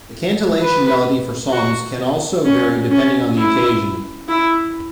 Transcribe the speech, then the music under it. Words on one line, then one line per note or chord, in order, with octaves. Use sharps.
The cantillation melody for Psalms can also vary depending on the occasion.
B4
F#4
C#4
C#4
E4
E4